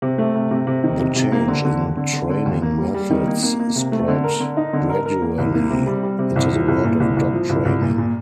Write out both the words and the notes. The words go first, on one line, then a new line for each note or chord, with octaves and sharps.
The change in training methods spread gradually into the world of dog training.
C3
A3
C3
C3
C3
D#3
C3
C3
A#3
D3
D3
D#2
D3
D3
D3
D#2
A#3
G3
G3
D#3
A#3
A#3
A#3
C3
A3
D3
A#4
D3
D#4
D3
A#4
A#4
A#3
C2
A#3
C3
G3
G3
C3
C2
F3
C2
A#2
C2
C2
F3
C2
C2
A#2
A#2